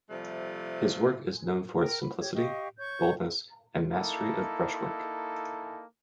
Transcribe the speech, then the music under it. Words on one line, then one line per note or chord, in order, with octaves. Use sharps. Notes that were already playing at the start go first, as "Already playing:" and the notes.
His work is known for its simplicity, boldness and mastery of brushwork.
C3 F3 G3 A3
A#4 G5
B5
G4 C#5
G4 D#5 F5 C#6
C#5 C#6 G6
A#3 D#4 E4 A4